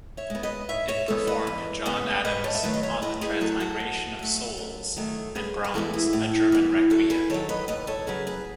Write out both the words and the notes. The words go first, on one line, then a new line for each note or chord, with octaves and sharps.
It performed John Adams' On the Transmigration of Souls and Brahms' A German Requiem.
C#5 E5
G#3 B3
B4 D#5
G#2 C#5 E5
C#5 E5
E3 G#3 B3 A4 C#5
B4 D#5
E2
C#3 G#3 B3
G#2 B4 D#5
A4 C#5
E5
D#3 F#3 A3 B4 D#5
D#5
C#5 E5
A2 B4 D#5
G#4 B4
F#3 A3 F#4 A4
F#4 A4
B2
F#3 A3
F#2
D#3 F#3 A3
F#2 G#4 B4
B4
E3 G#3 B3 F#4 A4
E4 G#4
A2
E3 B3
E2 F#4 A4
G#4 B4
D#3 F#3 A4 C#5
B4 D#5
D#2 B4 D#5
A4 C#5
C#3 F#3 G#4 B4
G#4 B4